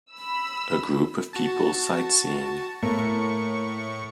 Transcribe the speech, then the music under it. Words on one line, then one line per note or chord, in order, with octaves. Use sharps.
A group of people sightseeing.
B5 E6
F#4 A5
A2 A3 A#3 C#6